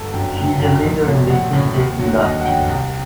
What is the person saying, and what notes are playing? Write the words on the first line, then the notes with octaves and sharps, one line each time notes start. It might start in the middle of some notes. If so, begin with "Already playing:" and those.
She is a leader in the Fintech industry.
Already playing: G1 A4
F#2 D3 F#3 G5
G1 G5
F#2 D3 F#3 G5
A#1
A2 F#3
A#1 F#5
A2 F#3
D#2
D3 F#3
D#2 D#5
F#5
D3 F#3 G5
C2